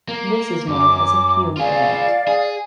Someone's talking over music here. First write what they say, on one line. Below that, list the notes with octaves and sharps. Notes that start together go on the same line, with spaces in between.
This is known as a fume event.
A#3
F#2 D6
F4 G#4 D5 F5
G#4